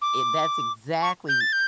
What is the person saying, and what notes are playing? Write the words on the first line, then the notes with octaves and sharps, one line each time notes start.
I that's exactly w
D6
C#6
G6
A6
G6